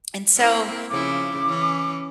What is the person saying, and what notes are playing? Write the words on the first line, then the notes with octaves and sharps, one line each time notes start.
And so
A#3 C4 E4
C#3 F3 E4 D6
E3 C#4